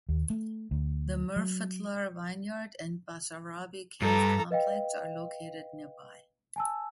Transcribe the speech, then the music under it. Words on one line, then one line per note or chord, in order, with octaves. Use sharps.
The Murfatlar Vineyard and Basarabi Cave Complex are located nearby.
D#2
A3
D2
F#3
G2 A4 A#5
B4 D#5 F5 G5
G#5 A5 E6